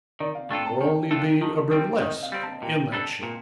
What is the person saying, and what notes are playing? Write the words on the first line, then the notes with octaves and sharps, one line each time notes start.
It will only be a burlesque in that shape.
D#3 D5
F5
A3 D4 F4 A4 G5
A5
A5
D#3 G5
A3 D4 F4 A4 G5
D#3 A5
G3 C4 G5
D#3 D#5
F5
G3 C4
A5
A#2 G5
G3 D4 A4 A5
A#2